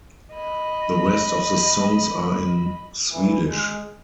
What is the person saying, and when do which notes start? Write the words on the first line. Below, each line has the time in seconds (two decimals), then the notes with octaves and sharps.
The rest of the songs are in Swedish.
0.34 D#5 B5
3.11 A#2 D3 E3
3.48 G#3